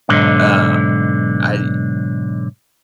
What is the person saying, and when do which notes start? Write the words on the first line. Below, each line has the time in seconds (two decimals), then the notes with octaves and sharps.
Um, I
0.09 B1 G#2 D3